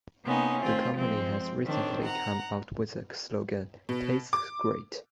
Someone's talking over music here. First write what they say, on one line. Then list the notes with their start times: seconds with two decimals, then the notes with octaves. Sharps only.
The company has recently come out with the slogan, Tastes great!
0.24 C3 A#3 B3 C#4 D#4
0.62 D#3 A3 C4 F4
0.92 F3 G#3 C4
1.65 D#3 C4 D4 C#5
2.03 F#5 A#5
3.89 B2
4.33 D6